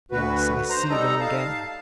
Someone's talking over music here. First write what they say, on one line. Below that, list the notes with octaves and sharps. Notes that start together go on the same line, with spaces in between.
Yes; I see them again.
D2 F#4 B4
C5 A#5
G3 D#4 A4 A#5
F5 A5